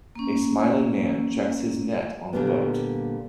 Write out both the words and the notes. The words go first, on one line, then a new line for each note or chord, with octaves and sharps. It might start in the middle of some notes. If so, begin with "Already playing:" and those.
A smiling man checks his net on the boat.
A#3 C#4
A#2 D3 G3 A#3 B3